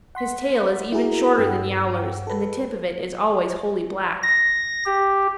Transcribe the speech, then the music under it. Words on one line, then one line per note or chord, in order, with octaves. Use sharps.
His tail is even shorter than Yowler's, and the tip of it is always wholly black.
F#5 C6 B6
E4 F#4 G#4 A#4
G2 F#5 G5 E6
A4 B4
A#6
G4